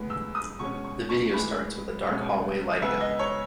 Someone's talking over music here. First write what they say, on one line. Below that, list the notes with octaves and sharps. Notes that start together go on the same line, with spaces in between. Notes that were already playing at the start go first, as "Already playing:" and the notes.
The video starts with a dark hallway lighting up.
Already playing: A2 G#3 B3
E6
D#6
B2 G#3 C#4 C#6
C#6
C#6
A2 E3 G#3 B5
B2 G#3 C#4
C#3 G#3 B3 E5
D#5
C#5